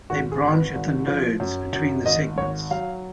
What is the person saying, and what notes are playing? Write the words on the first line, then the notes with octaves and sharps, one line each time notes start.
They branch at the nodes between the segments.
G#1 F#4
G#4
G#1
B4
G#1
F3
F#2
F#2
G#1 D#5
G#1 C#5
F#3 F5